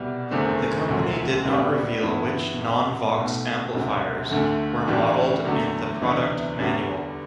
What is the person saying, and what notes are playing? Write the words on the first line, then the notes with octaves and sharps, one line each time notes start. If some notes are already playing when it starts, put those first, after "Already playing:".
The company did not reveal which non-Vox amplifiers were modeled in the product manual.
Already playing: C2 B2 G3
F#1 E2 D3 A3 C4
E1 D2 D3 F#3
A2 G3 B3 D4
G2 E3 B3 E4
E1 E2 B2
B1 B2 A3
E1 D2 C3 F#3
D2 D3 A3
A2 E3 G3 D4 F#4
E2 D3 F#3 A3
D2 C3 E3 B3 D4
E2 D3 G3 B3 F#4